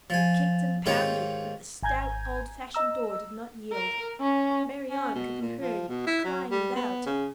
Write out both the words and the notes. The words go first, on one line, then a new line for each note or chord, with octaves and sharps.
They kicked and pounded, but the stout old-fashioned door did not yield. Marianne could be heard crying without.
F3 G#5
G#2 D#3 F4 G4 C#5
G#1 G#5 A#5 G6 G#6
D#5 A#5 E6
A#4
C#4
C#4
B2
A#2
F3
B2
E4
F#3
G3
B3
C#3